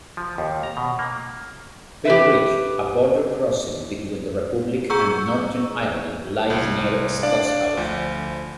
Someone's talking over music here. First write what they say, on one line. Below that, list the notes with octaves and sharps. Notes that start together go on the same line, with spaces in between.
Finn Bridge, a border crossing between the Republic and Northern Ireland, lies near Scotshouse.
F3
D#2
A#5
B2
A#3
G4 B4 E5
G#4 A#5 C#6 E6
C2
D4 D5 F5
D2 F3